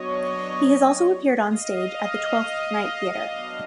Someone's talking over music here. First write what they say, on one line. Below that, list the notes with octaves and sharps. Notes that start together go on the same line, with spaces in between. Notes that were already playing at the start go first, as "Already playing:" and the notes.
He has also appeared on stage at the Twelfth Night Theatre.
Already playing: F#3 B3 D4 C#5 D#5
D#5 F5
F#3 B3 D4